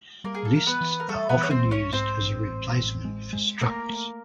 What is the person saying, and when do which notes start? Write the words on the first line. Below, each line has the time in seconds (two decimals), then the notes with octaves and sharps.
Lists are often used as a replacement for structs.
0.24 G3 A#3 A#4
0.34 G#4
0.45 A4
0.52 E3 A#4
0.66 B3 B4
0.81 E3
1.00 A#4
1.08 G3 A3 A4
1.29 B3 B4
1.37 E3
1.43 C#5
1.51 C4 C5
1.64 B1
1.71 C#4 C#5
1.93 G#2 C4 C5
2.21 A1
2.49 A1
2.77 A1
3.05 G#3
3.33 G#3
3.61 A3 A#3 A#4
3.90 A3